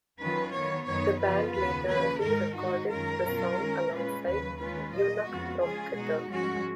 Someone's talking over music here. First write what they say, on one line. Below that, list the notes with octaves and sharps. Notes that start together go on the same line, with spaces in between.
The band later re-recorded the song alongside "Eunuch Provocateur".
D#3 F#3 C#4 F4 B4
D#3 F#3 B3 C#5
F#2 D#3 F#3 B3 D#4 C#5
C#3 F3 B3 F4 B4
D#2 C#3 F3 B3 B4
C#3 F3 A#3 C#4 B4
G#2 D#3 G#3 D#4 A#4
G#2 D#3 G#3 D#4 F#4
F#2 D#3 G#3 C#4 F4 A#4
B2 F#3 C#4 F4
D#3 G#3 C#4
A#2 G#3 C#4 F4 B4
D#2 C#3 F#3 B4
D#3 G#3 C#4 F4 B4
A#2 F#3 A#3 D#5
F2 C#3 G#3 B3 F4 F#4
C#3 F3 G#3 C#4 F4 G#4
B2 G#3 D#4 F#4
G#2 F3 G#3 C#4 F#4